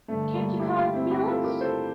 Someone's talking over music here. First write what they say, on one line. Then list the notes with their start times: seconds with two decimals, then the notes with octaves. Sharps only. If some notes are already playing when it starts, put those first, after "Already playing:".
Can't you call up Felix?
0.08 G2 D3 A3
0.33 G3 A#3
0.59 E4 G4
0.76 E4 G4
0.94 C4 E4
1.11 E4 G4
1.27 F4 A4
1.44 G4 A#4
1.61 A4 C5